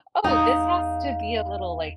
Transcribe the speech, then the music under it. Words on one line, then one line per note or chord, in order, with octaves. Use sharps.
"Oh, this has to be a little, like"
E2 D#4 F5